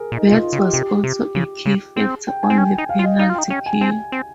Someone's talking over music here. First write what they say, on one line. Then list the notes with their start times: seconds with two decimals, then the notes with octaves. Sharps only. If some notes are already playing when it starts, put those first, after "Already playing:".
Betts was also a key factor on the penalty kill.
Already playing: G#4 A#4
0.12 A#2
0.17 D#4
0.27 F4
0.32 C3
0.42 F4
0.53 C#3
0.58 G4
0.73 C3 G4
1.04 C3
1.35 C#3
1.66 C#3
1.96 C4 G#4
2.27 G5
2.43 G#5
2.50 C4
2.58 C#4 G5
2.73 G5
2.78 D#4
2.89 F5
2.99 F4
3.04 D#5
3.19 D#4 F5
3.29 F4
3.34 G5
3.38 D#4
3.50 C#4 G5
3.66 G#5
3.81 C4 G#5
4.12 C4